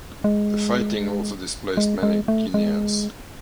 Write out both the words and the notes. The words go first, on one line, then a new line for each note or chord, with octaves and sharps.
The fighting also displaced many Guineans.
G#3
G#3
G#3
A3
G#3